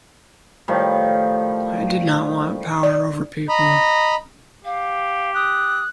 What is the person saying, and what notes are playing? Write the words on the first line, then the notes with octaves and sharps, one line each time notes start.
I did not want power over people.
A2 D#3 F3 G3
D5
D#5 A#5 B5
G4 F5
D#6 F#6